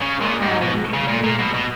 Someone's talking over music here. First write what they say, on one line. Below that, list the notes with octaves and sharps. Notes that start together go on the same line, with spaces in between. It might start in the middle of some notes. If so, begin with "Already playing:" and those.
Ah, you you
C#3
A#2
G#2
B2
C#3
A#2
A#2
B2
B2